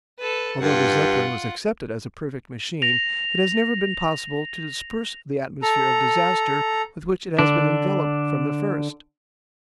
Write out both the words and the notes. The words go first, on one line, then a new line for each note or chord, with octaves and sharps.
Although the Zeppelin was accepted as a perfect machine it has never been possible to disperse the atmosphere of disaster with which it has been enveloped from the first.
A4 B4
G2 F4 F#5
A#6 F7
A4 A#5
D3 D4